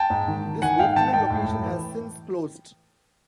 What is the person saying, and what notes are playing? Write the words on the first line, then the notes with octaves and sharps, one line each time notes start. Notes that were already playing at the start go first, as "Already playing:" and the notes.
This original location has since closed.
Already playing: G5 A5
G#2
D#3
D#3
D#3 F#5 G#5
G#2 F5 G5
D#3 G5 A5
G#2 G5 A5
A2
A2
E3